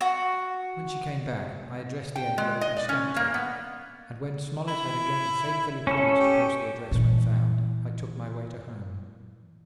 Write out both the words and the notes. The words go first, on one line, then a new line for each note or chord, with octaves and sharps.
When she came back, I addressed the envelope and stamped it, and when Smollet had again faithfully promised to post the address when found, I took my way to home.
F#4
G5
G#3
D#5
D5
C#4
A#3
B3
E4
C#4 A4
G4
A#2 E3